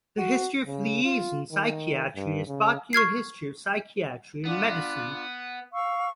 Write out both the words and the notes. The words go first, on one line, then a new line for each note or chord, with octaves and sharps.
The history of liaison psychiatry is partly a history of psychiatry and medicine.
F#4
C#3
F4
D#3
G2
C#3
C#6 F6 G#6 C7
B3 D4 F4
F5 C#6 E6